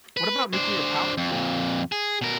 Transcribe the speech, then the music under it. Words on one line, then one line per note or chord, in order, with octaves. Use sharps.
What about nuclear power?
B4
D4 C5
F2
F2 A#2
G#4
B2 A#4